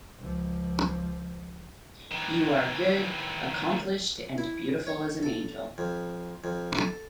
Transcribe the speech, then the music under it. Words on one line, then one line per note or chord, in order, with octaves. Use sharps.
You are good, accomplished, and beautiful as an angel.
C#2 F3
D#3 E3
E4
C#5
A4
F2
F2
A4